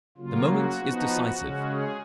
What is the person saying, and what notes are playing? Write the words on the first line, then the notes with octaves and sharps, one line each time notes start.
The moment is decisive.
C#3 F#3 A#3 F4
F#4
F3 B3 D#4
C#3 G#3 C#4
G#4